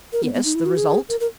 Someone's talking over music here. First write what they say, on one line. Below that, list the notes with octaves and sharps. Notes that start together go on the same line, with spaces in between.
"Yes, the result?"
A#4
B3
B3
D#4
E4
F#4
G#4
A#4
A#4